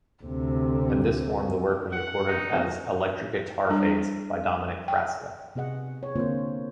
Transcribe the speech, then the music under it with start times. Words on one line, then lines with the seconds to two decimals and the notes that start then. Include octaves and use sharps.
In this form the work was recorded as "Electric Guitar Phase" by Dominic Frasca.
0.24 D2 C3
1.92 F#5
2.27 D#4
3.69 G3 D4
4.88 G5
5.55 C3 B3 G#4 D#5 F#5
6.03 G#4 C#5
6.16 D3 A#3 C4 F4 C5